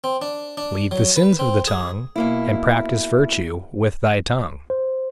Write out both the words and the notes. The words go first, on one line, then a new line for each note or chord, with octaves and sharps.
Leave the sins of the tongue, and practise virtue with thy tongue!
C4
D4
D4
F#3
B4
C4
G#4
B2 A#3 E4
C5